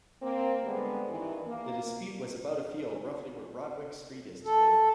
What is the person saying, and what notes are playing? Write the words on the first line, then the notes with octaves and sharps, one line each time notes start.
The dispute was about a field roughly where Broadwick Street is today.
A#3 C4
D3 G3 G#3 B3 C4
G2 D#3 E3
A#3
A4